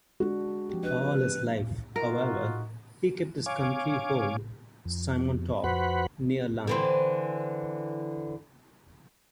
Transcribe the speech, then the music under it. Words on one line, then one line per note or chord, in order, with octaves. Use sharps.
All his life, however, he kept his country home Simontorp, near Lund.
G#3 D4 F#4
F3 C4 G4
D4 B4 D#5
D#4 F4 F#4 A#4
C#5 F5 G#5 D6
F2
F2 F#4 B4 C5 F#5 B5
D3 E3 C4